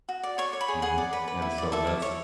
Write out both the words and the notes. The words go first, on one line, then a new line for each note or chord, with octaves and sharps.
Mhm, and so that's
F#4
D5
C#5 C#6
C#5
B5
G#4
G#4 F#5
D5
B4
B4
E4
D5
A4 E5
E4
C#5